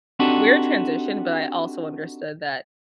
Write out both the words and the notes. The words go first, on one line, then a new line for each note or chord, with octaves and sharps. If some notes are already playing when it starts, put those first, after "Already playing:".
weird transition, but I also understood that
C4 D4 D#4 F#4 G4 A4